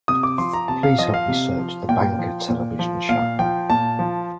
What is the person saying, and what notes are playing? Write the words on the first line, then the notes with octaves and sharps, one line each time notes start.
Please help me search The Banker television show.
C3 D#6
D6
F3 C6
A#5
C3 A5
F5
F3 D#5
F5
C3
F3
A#2 G5
F3
A#2
F3
A#2 F5
F3 G5
A#2 A5
F3